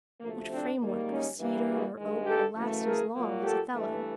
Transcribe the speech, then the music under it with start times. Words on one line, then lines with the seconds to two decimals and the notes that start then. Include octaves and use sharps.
What framework of cedar or oak will last as long as "Othello"?
0.21 D2 C3 F3 A3 A#3
0.50 C4 D4
0.79 G#2 D#3 G3 A#3
1.09 C#4 D#4
1.38 G2 E3 G3 A#3
1.67 F#4 G#4
1.97 G2 D#3 G#3
2.26 G4 A4
2.55 F#2 C#3 E3 A3
2.84 G#4 A#4
3.14 A#2 F#3 A#3
3.43 G4 A4
3.73 G2 E3 A3